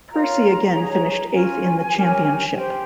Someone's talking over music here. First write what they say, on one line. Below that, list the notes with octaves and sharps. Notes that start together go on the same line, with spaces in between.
Percy again finished eighth in the championship.
F4 A#4 C#5 A#5
D#4 G#4 C#5
C#4 F4 A#4 G#5
C#4 G4 A#4 C#5
G4 C5 G5